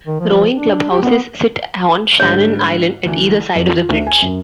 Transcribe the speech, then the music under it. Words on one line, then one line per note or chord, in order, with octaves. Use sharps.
Rowing clubhouses sit on Shannon Island at either side of the bridge.
D#3
F3
D4
G4
B3
G#2 D3 G3 C#5
D2 E3
F2
F4
D2
G#5
F#2